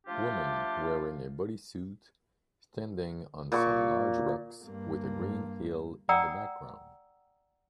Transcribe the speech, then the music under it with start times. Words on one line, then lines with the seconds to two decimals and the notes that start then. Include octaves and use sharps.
Woman wearing a bodysuit standing on some large rocks with a green hill in the background.
0.07 F3 A3 D4 F4 G4
3.52 A#2 C#6
4.63 G2 A#3
6.09 D5 F#5 G5 A#5 D#6 E6